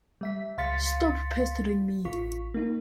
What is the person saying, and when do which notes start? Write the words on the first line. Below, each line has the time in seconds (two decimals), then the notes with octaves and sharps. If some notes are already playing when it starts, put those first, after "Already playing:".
Stop pestering me!
0.21 G3 E5 B6
0.58 C#2 F5 C6 A6 B6 C#7
2.05 A1 F4 C#6 B6
2.54 A#3 D#4